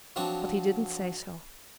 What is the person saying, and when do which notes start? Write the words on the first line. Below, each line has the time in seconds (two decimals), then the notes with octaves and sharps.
But he didn't say so.
0.16 F3 F#3 C4 D4 F#4